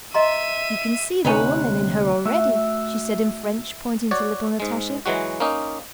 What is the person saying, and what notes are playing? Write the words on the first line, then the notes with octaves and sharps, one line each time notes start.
"You can see the woman in her already," she said in French, pointing to little Natasha.
D#5 E5 A#5 C6 D#7
D2 C3 C#4 D#4 B4 F#5
A3 F#4 E5
F#4 C#5 D5
G#2 G#3
E3 F#3 G#3 F#4
A#3 C#4 D#4